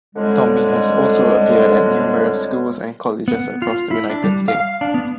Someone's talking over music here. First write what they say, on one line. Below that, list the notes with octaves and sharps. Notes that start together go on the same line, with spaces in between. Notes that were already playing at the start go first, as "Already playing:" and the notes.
Tommy has also appeared at numerous schools and colleges across the United States.
F2 A2 D3 G3 G#3
B3
F4
E4
D4
G3
F5
D4
B3